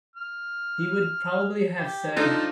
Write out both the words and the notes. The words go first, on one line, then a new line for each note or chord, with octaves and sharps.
He would probably have said
F6
G4
F3 D4 D#4 A4 C5 F6